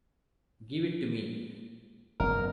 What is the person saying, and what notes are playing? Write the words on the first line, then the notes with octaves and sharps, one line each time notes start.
Give it to me!
F#1 G#2 B3 A#4